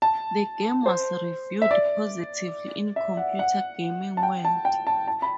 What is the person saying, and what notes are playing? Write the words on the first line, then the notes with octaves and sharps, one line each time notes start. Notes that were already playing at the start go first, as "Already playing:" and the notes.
The game was reviewed positively in "Computer Gaming World".
A5
C5
E5
D5
E5
F#5
F#5
A5
G5
A5
G5
A5
A5
B5